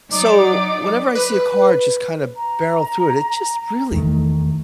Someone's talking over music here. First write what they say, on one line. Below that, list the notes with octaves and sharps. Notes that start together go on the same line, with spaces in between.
So, whenever I see a car just kinda barrel through it, it just really
F#3 D#4 D5 D6
B4
A#5
E2 D#3 A3